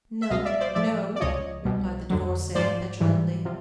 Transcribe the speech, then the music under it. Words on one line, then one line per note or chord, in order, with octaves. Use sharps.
"No, no," replied the Divorcee, petulantly.
E5
C#2 B2 F#3 D#5 F5
D5 E5
C5 D5
A2 F3 D5 E5
D5
C#2 C#3 F3 C#5 D#5
C2 B2 G3
F2 D3 F#3
G#2 F3 C5 D5
G#2 E3 G3
C3 F3